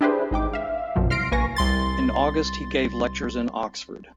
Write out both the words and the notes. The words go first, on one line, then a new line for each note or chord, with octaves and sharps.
In August he gave lectures in Oxford.
D4 E4 G4 G#4 B4 C5
G#1 D#4 G5 D6
E5 F5
A#1 F#2 B2 F3 F#3
C2 C6 F6 A#6 C7 D7
A#1 A#3 B4 G#5 C#6 A#6
C2 C6 A6